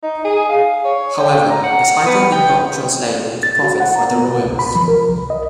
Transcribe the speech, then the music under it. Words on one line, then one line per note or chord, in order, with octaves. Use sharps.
However, the title did not translate into profit for the Royals.
D#4
G#4
F5
C#5
G5
A#5
F#5
B3
G5
A6
F#4
F#5
A#5
B3
B2
C#2
B5
F3
A#4
C2
D#5